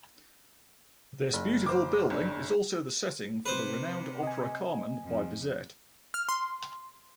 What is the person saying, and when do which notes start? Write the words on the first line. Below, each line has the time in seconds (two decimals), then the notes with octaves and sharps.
This beautiful building is also the setting for the renowned opera, "Carmen", by Bizet.
1.33 F#1
1.66 C5 D6
2.10 G1 D4
3.46 C3 B4 C5
4.23 D#5 G#5
5.03 F2
6.14 F6
6.29 C6